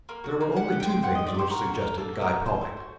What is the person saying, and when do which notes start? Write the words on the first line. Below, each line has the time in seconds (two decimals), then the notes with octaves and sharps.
There were only two things which suggested Guy Pollock.
0.09 A#3
0.24 F#4
0.41 A#3
0.56 G4 F#5
0.72 G4
0.80 G5
0.88 C4
1.03 C4 F#5
1.15 G4 D#5
1.27 D5
1.34 G4 C5
1.50 F#4 A#4
1.66 A#3
1.74 A#4
1.82 A4
1.98 A#3 A4
2.13 F#4
2.22 A#4
2.30 A#3
2.44 C4 C5
2.61 A3
2.77 F#4